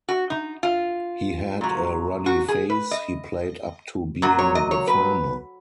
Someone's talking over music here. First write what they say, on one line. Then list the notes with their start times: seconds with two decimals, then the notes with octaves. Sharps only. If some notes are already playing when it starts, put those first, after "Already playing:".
He had a ruddy face, he played up to being the farmer.
0.09 F#4
0.30 D#4
0.63 F4
1.61 A#2 F#3
2.26 F#4
2.48 G#4
2.70 B4
2.91 D#5
4.22 A#2 F#3
4.39 C#5
4.55 D#5
4.71 C#5
4.87 B4